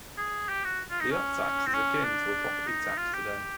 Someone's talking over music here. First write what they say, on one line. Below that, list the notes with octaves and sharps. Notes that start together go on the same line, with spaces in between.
The hut tax is akin to a property tax today.
G#4
G4
F#4
F4
D#4
C#4
C4
C#4
D4
D#4
F4
G4